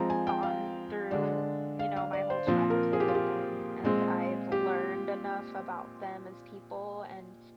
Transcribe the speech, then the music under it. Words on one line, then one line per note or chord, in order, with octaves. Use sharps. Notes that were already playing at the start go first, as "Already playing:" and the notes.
gone through, you know, my whole childhood with them, and I've learned enough about them, as people, and,
Already playing: F3 G#3 C4 A#5
G#5
G5
F5
D3 G#3 D4
F5
F5
D5
C5
A#2 F3 C4 C5
A#4
G#4
G4
F4
G4
A#2 G#3 C4
G4